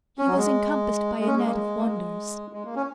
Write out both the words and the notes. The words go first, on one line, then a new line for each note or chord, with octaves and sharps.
He was encompassed by a net of wonders.
C#4
F#3
G#3
G#3
C#4
G#3
A#3
G#3
A#3
G#3
G#3
A#3
C#4